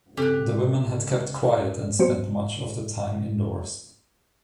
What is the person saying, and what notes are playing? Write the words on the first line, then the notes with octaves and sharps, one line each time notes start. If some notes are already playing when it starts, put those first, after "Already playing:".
The women had to keep quiet and spend much of the time indoors.
C#3 C4 G4 A4 F#6
F#3 B3 F#4 G4 C5 C#7